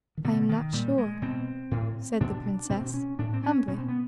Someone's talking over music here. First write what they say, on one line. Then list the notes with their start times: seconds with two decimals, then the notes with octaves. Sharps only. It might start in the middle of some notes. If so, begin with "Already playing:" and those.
"I am not sure," said the princess, humbly.
0.17 D#3
0.24 B2 D3
0.49 D#3
0.73 A#2 G3
0.98 G#3
1.22 B2 C4
1.71 A2
2.21 B2 D4
2.70 B2 C4
2.94 C#4
3.18 A2 D4
3.33 C4
3.43 C#4
3.67 B2 C#4
3.78 C4
3.88 B3